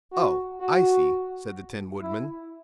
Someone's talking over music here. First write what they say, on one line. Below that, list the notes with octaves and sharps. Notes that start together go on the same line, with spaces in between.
"Oh, I see," said the Tin Woodman.
F#4
F#4
E4